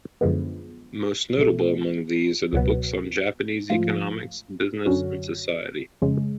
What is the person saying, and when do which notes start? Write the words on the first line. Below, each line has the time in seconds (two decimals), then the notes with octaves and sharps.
Most notable among these are the books on Japanese economics, business, and society.
0.21 F#2 D3 F3 G#3 B3
1.37 B1 B2 A3
2.53 C#2 B2 F#3 B3
3.70 G#2 F3 A3 F4
4.86 F#2 D3 F#3 C#4 F#4
6.02 F2 C#3 G#3